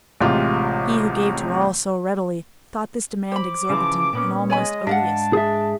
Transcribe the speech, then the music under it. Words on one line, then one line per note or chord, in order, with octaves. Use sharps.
He who gave to all so readily thought this demand exorbitant and almost odious.
A1 C3 G#3 F4 G4
C5 B5 D6
C#3 E3 F3
A#2 B3 C#4
G#3 C#5 D#5 G#5 B5
G#2 D4 D#5 F5 F#5 A5
G#4 E5